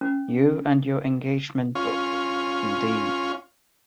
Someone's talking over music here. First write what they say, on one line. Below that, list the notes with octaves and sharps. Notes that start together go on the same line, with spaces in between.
You and your engagement book, indeed.
C#4
C#4 F4